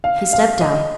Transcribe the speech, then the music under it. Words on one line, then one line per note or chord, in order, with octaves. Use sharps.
He stepped out.
F5
F5
D#5